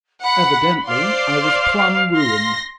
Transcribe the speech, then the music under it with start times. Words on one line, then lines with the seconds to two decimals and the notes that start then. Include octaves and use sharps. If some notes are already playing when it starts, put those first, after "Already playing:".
Evidently I was plumb ruined.
0.23 F#5 B5
0.86 C5 D5 F5 C6
2.18 C6 A#6